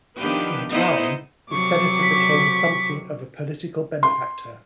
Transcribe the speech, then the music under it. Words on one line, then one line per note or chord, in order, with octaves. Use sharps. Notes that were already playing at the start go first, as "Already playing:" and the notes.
In time, the senator became something of a political benefactor.
D#3 F3 B3 D4 G4 B4
B3 D#4 E4 C5 D#5
C3 F#3 C#6 D6
B6
C6